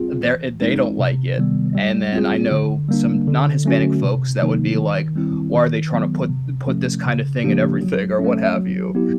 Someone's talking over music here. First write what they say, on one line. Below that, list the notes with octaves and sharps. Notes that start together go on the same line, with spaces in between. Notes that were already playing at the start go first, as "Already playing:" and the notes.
they're i they don't like it, and then I know some non-Hispanic folks that would be like, "Why are they trying to put put this kind of thing in everything?" or what have you,
Already playing: G3 C4 F4 G#4
E3
G#3 C4 D#4
C3
D#3 G3 B3
G3
C4 F4 G#4
D3
G3 A#3 D4
D3
F#3 A3 C#4 F#4
C3
D#3 F#3 A#3 D#4
D#3
G3 C4 E4
D#3
F#3 B3
C3
F3 A3 C#4
C#3
F3 A#3 D4 G4
F#3
A3 C#4
F#3
B3 E4 G4